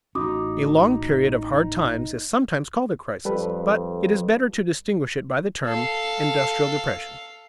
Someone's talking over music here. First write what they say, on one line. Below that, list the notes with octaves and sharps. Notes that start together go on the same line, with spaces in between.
A long period of hard times is sometimes called a crisis, but it is better to distinguish it by the term industrial depression.
A1 C#4 D#4 F#4 D6 D#6
F2 G3 A4 B4
A4 F5